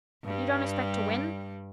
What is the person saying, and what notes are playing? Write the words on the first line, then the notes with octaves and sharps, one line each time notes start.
"You don't expect to win?"
G2 G3